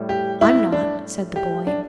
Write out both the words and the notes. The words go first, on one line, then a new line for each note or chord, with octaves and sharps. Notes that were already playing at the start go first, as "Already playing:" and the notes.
"I'm not," said the boy.
Already playing: A2 G3
G4
E4
D4
G4
D4